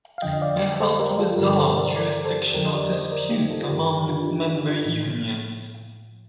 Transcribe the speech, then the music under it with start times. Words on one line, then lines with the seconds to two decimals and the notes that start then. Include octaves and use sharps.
It helped resolve jurisdictional disputes among its member unions.
0.18 F5
0.22 F2 D3 F3 D#5 G5
0.33 D#5
0.42 D5 F5
0.80 A4 C5
0.99 G4 A#4
1.19 F4 A4
1.38 G2 D3 F3 G4 A#4
1.57 A4 C5
1.76 A#4 D5
1.96 A#4 D5
2.14 A#4
2.25 A4 C5
2.54 F2 D3 F3 G4 A#4
2.66 D#5
2.73 A#4 D5
2.92 C5 D#5
3.12 A#4 D5
3.31 D#4 G4
3.50 F4 A4
3.69 G2 D3 F3 G4 A#4
4.08 D4 F4
4.28 D#4 G4
4.56 D4 F4
4.85 A2 F3